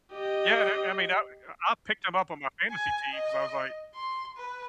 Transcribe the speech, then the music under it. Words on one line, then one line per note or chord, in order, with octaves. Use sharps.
Yeah, that I mean, eh, I I picked him up on my fantasy team, 'cause I was like
G4 D#5
G#5
D#5
C6
B4